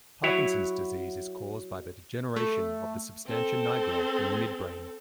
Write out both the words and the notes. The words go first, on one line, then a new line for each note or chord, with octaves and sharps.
Parkinson's disease is caused by the degeneration of the substantia nigra in the midbrain.
F#3 E4 C#5
A3
C4 A4